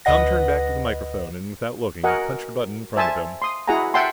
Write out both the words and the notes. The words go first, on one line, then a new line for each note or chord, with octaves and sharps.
Tom turned back to the microphone, and without looking, punched a button in front of him.
D2 B4 D#5 F#5 A#6
F#4 A#4 D#5 F#5 G#5
C5 E5 G#5 A5
C6 D#6
E4 F#4 G#4 F#5 G#5 A#5
E5 F#5 G5 A5 C6